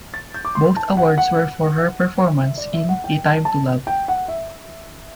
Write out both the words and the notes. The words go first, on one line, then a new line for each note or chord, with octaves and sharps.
Both awards were for her performance in "A Time to Love".
A6
G6
D6
C6
A5
F#5
F#5
E5
D5
E5
F#5
G5
A5
A5
G5
F#5
E5